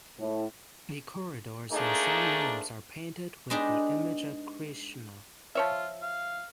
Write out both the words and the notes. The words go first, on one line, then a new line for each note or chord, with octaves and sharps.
The corridors and some rooms are painted with the image of Krishna.
A2
F3 A3 A#3 D4 D#4 G#4
G#3 B3 D4 D#4 G4 G#4
F3 F4 C#5 E5
F5